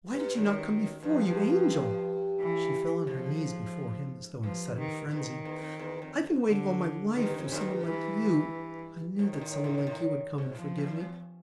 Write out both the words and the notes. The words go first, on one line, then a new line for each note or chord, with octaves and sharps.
Why did you not come before, you angel?" She fell on her knees before him as though in a sudden frenzy. "I've been waiting all my life for some one like you, I knew that some one like you would come and forgive me.
G2
F#2 D#3
G2 F3
G2
G2
E3
G#2 F3
G2 F3
D#3
E2 D#3
F2
E2
F2
E2
F2
F2
D3
G2 D#3
F#2
F2
F#2 D#3
G2
E3
G#2 D#3
G#2
A2
A2
A#2
A2
G#2
F2 F3
F#2
E2